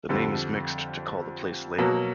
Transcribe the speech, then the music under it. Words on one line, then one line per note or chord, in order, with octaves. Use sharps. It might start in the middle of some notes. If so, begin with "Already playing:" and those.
The names mixed to call the place Leybourne.
F2 D3 G3 A4
B2 F#3 A#3